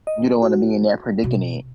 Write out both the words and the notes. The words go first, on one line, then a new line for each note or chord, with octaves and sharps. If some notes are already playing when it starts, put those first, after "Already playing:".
You don't wanna be in that predicament.
D#5
F#4
B2